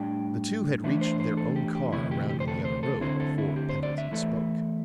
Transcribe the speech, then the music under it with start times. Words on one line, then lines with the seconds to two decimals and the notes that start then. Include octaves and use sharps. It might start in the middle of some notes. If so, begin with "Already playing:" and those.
The two had reached their own car around on the other road before Pendleton spoke.
Already playing: A2 G3 D4 G5
0.84 E2 E3 A3 D4 E5
1.01 C5
1.20 C5
1.37 A4
1.56 G4
1.75 G4
1.92 D2 C3 E3 A3 E4
2.11 G4
2.29 G4
2.40 C5
2.48 A4
2.65 C5
2.83 A4
3.01 D2 D3 C4 E4 C5
3.20 A4
3.38 E4
3.56 G4
3.69 C5
3.83 D5
3.98 E5
4.11 E2 E3 A3